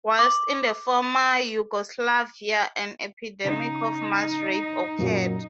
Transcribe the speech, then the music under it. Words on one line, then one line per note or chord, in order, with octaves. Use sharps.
Whilst in the former Yugoslavia an epidemic of mass rape occurred.
D6 F#7
C#3 D#4
F#2 A#2 F#3